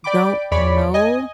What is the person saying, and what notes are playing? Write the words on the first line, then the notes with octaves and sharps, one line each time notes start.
don't know?
D5 G5 B5 D6
E2 C#5 D5 B5
D#5 G#5